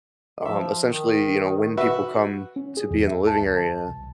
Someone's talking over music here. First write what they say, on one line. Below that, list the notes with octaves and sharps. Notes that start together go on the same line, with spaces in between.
um, essentially, you know, when people come to be in the living area,
F3 E5
D#3
F#4 B4 E5
C#4
G#4
E2
E5
A5
D2
A5
C2